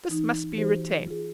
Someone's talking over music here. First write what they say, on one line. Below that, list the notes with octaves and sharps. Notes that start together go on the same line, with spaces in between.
This must be retained.
E3 D#4
E3 D#4 F#4 G4 C5
F4 G#4